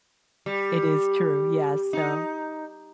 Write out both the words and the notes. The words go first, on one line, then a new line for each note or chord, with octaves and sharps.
It is true. Yes, so
G3
D#4